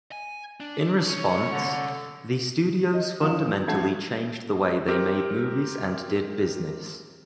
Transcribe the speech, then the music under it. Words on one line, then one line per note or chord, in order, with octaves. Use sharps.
In response, the studios fundamentally changed the way they made movies and did business.
G#5
D4
C3 C#4 C#5
D3
D#5
E2 D3 F#3 F4 E7
A1 G2 A3 F#4 G#6 C7
C4 G4 A#4